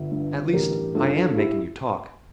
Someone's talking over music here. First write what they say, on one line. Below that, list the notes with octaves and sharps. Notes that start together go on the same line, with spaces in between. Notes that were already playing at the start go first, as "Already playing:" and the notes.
At least, I am making you talk!
Already playing: G1 E5
G2
A1 G4 A#4
G2 F4 A4
E4 G4